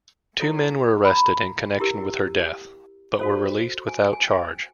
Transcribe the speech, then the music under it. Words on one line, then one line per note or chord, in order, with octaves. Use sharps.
Two men were arrested in connection with her death, but were released without charge.
E4 A4 C#5
B5
A#5
E4 G4 A#4
F#4 A4 C5
G#5
G#5
G5